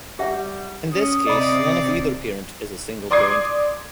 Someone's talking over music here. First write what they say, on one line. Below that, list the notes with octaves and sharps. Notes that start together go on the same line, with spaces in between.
In this case none of either parent is a single parent.
G3 G4 E5 F#5
C#4 D#6
C3 D5 D#5 B5
D5 C6 D6 D#6 G#6 C7